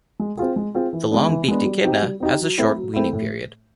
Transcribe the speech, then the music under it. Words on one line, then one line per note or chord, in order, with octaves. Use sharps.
The long-beaked echidna has a short weaning period.
G#3
C4 F4 G#4
G#3
C4 F4 G#4
E3
G#3 B3 D4
E3
G#3 B3 D4
G3
C4 D#4 G4
G3
C4 D#4 G4
F#3
A3 C4 E4
F#3
A3 C4 E4
A2